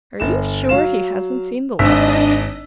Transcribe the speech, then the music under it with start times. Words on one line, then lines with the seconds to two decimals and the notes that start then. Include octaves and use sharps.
"Are you sure he hasn't seen the Love Magnet?"
0.20 G1 E7
0.69 F#3 F5 E7
1.79 G#1 D4 D#5 E6 B6